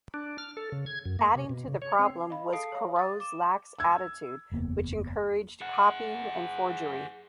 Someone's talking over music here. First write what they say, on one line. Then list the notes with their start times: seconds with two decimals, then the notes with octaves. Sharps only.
Adding to the problem was Corot's lax attitude which encouraged copying and forgery.
0.14 D4
0.38 F6
0.57 A4
0.72 C#3
0.86 G#6
1.05 F#2
1.19 A#3
1.35 C3
1.49 B2
1.68 C#3
1.82 C#5
1.99 C4
2.30 D#5 F5 B5
2.53 G#4 A4 F5 A5 D#6 C7
2.72 C#5 F5
2.96 D#6 A6
3.20 D6 E7
3.79 E6 G#6
4.52 F#1 E2 A#3 B3
5.61 G#4 F#5